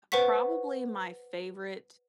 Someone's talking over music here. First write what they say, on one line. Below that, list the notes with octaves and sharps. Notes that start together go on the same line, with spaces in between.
probably my favorite
B4 C5 F#5 C#6 B6